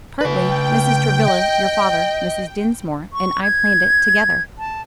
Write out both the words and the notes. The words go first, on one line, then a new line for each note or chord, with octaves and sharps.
"Partly, Mrs. Travilla; your father, Mrs. Dinsmore, and I planned it together."
C#3 B4 G5
D#5
C#6
G#6
A5